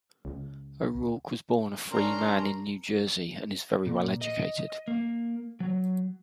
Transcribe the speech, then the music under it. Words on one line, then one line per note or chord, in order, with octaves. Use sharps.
O'Rourke was born a free man in New Jersey and is very well educated.
C#2
C#4 D4 A#4 A#5 C6
A#2
D#5
A#3
F#3